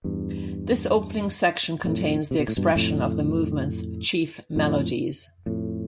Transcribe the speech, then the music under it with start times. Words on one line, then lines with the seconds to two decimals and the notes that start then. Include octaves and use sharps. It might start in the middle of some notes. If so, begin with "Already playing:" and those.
This opening section contains the expression of the movement's chief melodies.
0.04 E2 G2
1.85 F2 A2
2.31 C3
2.39 B2
2.48 A2
2.57 G2 B2
2.76 F2 A2
4.56 F2 A2
5.46 F2 A2